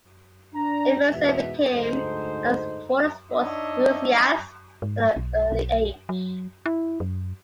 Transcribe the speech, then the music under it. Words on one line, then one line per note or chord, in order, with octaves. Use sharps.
Emerson became a motorsports enthusiast at an early age.
D4 A#5
E2 G#2 B2 E5
D2 G#2 D#4 A4 C5
D4 D#4 C#5 D#5 E5
G#2
B1
B1
F#3
E4
F#2